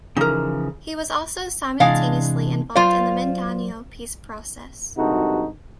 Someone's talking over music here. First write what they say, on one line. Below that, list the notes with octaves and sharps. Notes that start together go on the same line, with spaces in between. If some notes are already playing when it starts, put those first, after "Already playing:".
He was also simultaneously involved in the Mindanao peace process.
C#3 E3 F3 D#4 A#4
C3 E3 G#3 D4 F5
F#3 F4 C5 D5 F5
G#1 G2 C3 D#4 F#4 A4